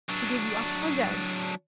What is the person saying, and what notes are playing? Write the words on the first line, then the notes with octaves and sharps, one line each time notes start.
We gave you up for dead!
F#3 D4